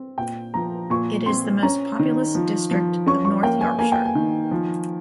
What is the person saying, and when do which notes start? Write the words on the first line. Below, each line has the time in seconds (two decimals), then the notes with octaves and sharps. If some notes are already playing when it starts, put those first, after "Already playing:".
It is the most populous district of North Yorkshire.
Already playing: C4
0.18 A#2 G5
0.54 F3 A#5
0.90 A#2 C#6
1.26 C4 C6
1.63 C#4 A#5
1.99 D#3
2.35 F3
2.71 F3
3.06 C#4 C#6
3.25 C#6
3.43 A#3 G5
3.61 G#5
3.79 A#3 G#5
3.92 G5
4.05 G#5
4.15 D#3
4.51 F3